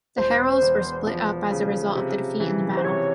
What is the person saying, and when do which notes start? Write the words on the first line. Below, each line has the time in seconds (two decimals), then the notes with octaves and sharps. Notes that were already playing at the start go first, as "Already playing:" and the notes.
The Heruls were split up as a result of the defeat in the battle.
0.17 E1 C5
0.62 E2
1.07 F3
1.51 C#3
1.96 C3
2.40 E3
2.77 C5
2.84 C3 C#5